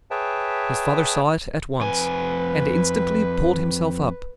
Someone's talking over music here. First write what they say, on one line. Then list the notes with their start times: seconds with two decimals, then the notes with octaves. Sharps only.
His father saw it at once, and instantly pulled himself up.
0.11 G#4 B4 C#5 E5 G5 A5
1.81 F2 B4 G#5